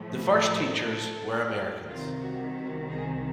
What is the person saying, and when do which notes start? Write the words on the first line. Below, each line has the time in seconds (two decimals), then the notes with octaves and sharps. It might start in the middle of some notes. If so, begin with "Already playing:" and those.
The first teachers were Americans.
Already playing: A2 F3 A3
0.17 B4
0.51 A#4
0.85 A4
1.19 A4
1.54 G4
1.87 C2 C3 D#3 F4
2.22 F#4
2.56 F#4
2.90 G#4